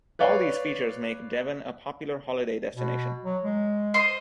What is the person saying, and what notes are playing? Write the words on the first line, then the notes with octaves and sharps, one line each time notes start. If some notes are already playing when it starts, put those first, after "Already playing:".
All these features make Devon a popular holiday destination.
B4 C#5 D5 F5
B2
F#3
G#3
C5 D#5 C6